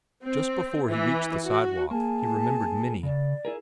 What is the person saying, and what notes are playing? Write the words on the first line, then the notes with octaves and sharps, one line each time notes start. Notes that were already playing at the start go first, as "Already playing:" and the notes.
Just before he reached the sidewalk, he remembered Minnie.
C4
E3
F#4
A#3 G#4 G#5 A5
C#3 D5
E4 G#4 A#4